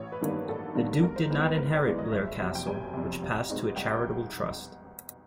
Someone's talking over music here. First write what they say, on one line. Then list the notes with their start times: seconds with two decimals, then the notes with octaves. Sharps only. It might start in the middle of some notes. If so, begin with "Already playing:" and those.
The Duke did not inherit Blair Castle, which passed to a charitable trust.
Already playing: A1 C#5
0.12 B4
0.21 G2 D#3 G3 A#3
0.29 B4
0.49 A1 A4
0.75 G2 D#3 G3 A#3
1.03 G#2 A#4
1.16 C5
1.30 E3 G#3 B3 B4
1.44 B4
1.57 G#2 A#4
1.74 C#5
1.84 E3 G#3 B3 D5
1.99 D#5
2.12 F#1 E5
2.39 F2 C3
2.55 G5
2.67 F#1 G#5
2.94 F2 C3
3.22 C2
3.49 B2 G#3 C4 D#4
3.76 C2 G5